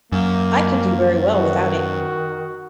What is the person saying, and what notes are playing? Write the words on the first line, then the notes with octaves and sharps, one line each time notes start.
I could do very well without it.
F#2 A#3
D#3 F#4